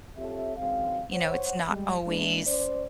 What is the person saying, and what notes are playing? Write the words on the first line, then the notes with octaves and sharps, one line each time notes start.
you know, it's not always
C4 F4 G4 A4 C#5 E5
G#1 C#2 F#3 G#3 C4 F5
C5 C#5 F#5
G3 G#3
G#3 A#3 D4 E4
C#4 C5 D5